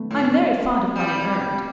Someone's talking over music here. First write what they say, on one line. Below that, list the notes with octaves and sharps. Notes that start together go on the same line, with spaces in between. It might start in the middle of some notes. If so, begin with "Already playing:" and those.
I'm very fond of money earned.
Already playing: A3 B3
A2
C4
G3